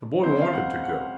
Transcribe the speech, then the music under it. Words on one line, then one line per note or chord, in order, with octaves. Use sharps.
The boy wanted to go.
C#2 C#3 F#3 C4 C5
F5
F#5
F#5